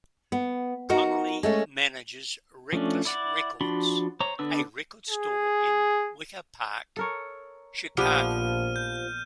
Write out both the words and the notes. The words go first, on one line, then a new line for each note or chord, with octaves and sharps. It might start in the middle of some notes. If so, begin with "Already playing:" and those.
Connelly manages Reckless Records, a record store in Wicker Park, Chicago.
B3
D#4 F#4 A#4
G#3 A3 C#4
F3 A3 C#4 D4
E4 D5 F#5
F3 D4 F#4 B5 C6
C5 C#5 A#5
D3 B3 D4 B4 E6
G#4
A4 A#4 C#5
A#1 F3 B3 D4 G4 G#4 F6 D#7
G6